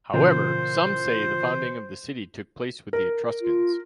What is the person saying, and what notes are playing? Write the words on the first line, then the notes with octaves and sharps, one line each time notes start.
However, some say that the founding of the city took place with the Etruscans.
A#2 C#3 E3 C5
A#4
F4